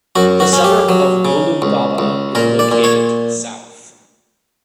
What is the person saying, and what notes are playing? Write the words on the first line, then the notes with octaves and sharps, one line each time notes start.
The suburb of Woolloongabba is located to the south.
F#2 F#4
F#4
C#4
G4
F#3
C#3
C#2
C#2
A#2 A#4
D5
A#2
C#5